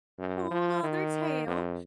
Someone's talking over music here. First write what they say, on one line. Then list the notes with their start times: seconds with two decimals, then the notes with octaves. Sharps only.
whole other tale,
0.19 F#2
0.51 F3
0.83 D#3
1.47 F2